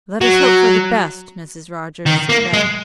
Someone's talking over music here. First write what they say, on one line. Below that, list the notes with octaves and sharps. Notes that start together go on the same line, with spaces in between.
"Let us hope for the best, Mrs. Rogers," said Beth.
F#3
D#3
A#3
G#3